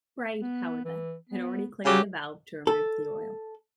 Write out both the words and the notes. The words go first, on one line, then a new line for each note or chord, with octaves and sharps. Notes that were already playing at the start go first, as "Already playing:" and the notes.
Brade, however, had already cleaned the valve to remove the oil.
B3
E3
B3
C#3 F#3 G3 G4
A4